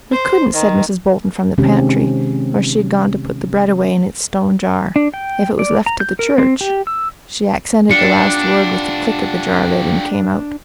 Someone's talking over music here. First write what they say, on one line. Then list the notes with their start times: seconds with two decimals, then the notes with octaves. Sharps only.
"We couldn't," said Mrs. Bolton from the pantry, where she had gone to put the bread away in its stone jar, "if it was left to the church." She accented the last word with the click of the jar lid, and came out.
0.12 C5
0.54 D#3
1.58 C3 D#3 G#3 C4 C#4 G4
4.96 D4
5.14 G5
5.59 D5
5.86 A#5
6.00 G6
6.19 A#4
6.38 C4
6.61 G4
6.87 E6
7.91 D4 F4 G4 C#7